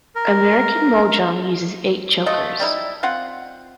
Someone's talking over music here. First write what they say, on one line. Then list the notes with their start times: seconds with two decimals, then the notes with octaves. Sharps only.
American mahjong uses eight jokers.
0.16 A#4
2.26 F3 A3 D#5
2.60 G3 D#4 E4
3.03 C4 F4 F#5